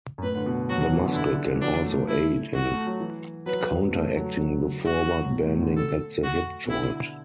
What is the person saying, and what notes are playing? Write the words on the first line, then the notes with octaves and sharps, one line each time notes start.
The muscle can also aid in counteracting the forward bending at the hip joint.
F#2
A2 B4
D3
B2
F#3 F#4
E3
D3
B2
D3 E4
E3
F#3 D4
A3
E4
F#4
A3
F#3
E3
F#3 B4
A3
A3
F#3
F#4
A2
B2
A2
D3
A4
F#4
B2
D3 E4